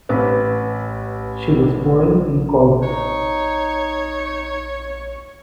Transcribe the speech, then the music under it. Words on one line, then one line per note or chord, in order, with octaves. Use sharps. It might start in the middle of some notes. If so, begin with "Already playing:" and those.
She was born in Kolga.
A1 B4
D#4 C#5